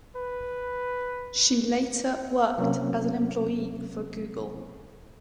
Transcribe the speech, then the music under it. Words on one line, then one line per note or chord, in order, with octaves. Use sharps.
She later worked as an employee for Google.
B4
C3 F#3 A#3 C4 C#4